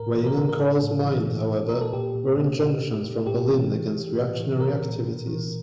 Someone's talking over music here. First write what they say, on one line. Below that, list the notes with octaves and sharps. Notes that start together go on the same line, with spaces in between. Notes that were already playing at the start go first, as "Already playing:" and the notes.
Weighing on Kahr's mind however, were injunctions from Berlin against reactionary activities.
Already playing: A2 A#4
E3
A#4
E3
A#4
A2 A4
A2
E3
A#2
A#2
A#2 A#4
A4
A#2 G4
A#2
A#2
A#2
A#2
A#2
A2 G4
E3
E3
E3
A2
E3
A#2 A#4
A#2
A#2
E3